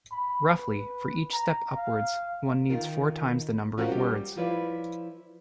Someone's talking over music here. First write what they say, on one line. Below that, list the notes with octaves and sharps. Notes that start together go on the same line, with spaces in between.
Roughly, for each step upwards, one needs four times the number of words.
B5
B4
A#5
F5
D#3 F4 A#4
C#4 F4 F#4 A#4 C5 C#5
G3 G4
F3 E4 F4 B4 C#5 D5